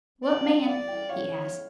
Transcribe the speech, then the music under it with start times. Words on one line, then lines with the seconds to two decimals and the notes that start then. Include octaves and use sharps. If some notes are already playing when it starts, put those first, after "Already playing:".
"What man?" he asked.
0.23 D5
0.45 F5
0.66 D5 F5
0.88 G5
1.09 C#5 F5